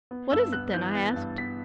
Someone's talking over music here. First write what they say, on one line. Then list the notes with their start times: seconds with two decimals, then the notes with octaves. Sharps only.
"What is it, then?" I asked.
0.11 B3
0.31 G2 E6
0.53 B3 F#6
0.74 E3 G6
0.95 B3 A6
1.16 G2
1.38 B3 B6